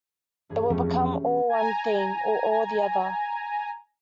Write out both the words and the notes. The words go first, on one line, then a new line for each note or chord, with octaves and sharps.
It will become all one thing, or all the other.
E1 G2 G#4
F2 G3 A3 C#4
G#5 A#5